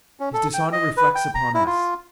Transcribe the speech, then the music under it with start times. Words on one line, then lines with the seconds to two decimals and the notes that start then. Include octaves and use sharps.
"His dishonor reflects upon us."
0.20 C#4
0.33 A4
0.54 G5
0.73 D#5
0.97 B4
1.15 G5
1.34 A#5
1.54 E4
1.67 F4